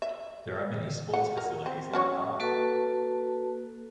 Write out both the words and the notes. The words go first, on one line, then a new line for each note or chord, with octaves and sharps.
There are many sports facilities in the park.
E5
F#5
A#4
C4
C#4 F#4 C#5
A#3 F#4 A4 B4 A5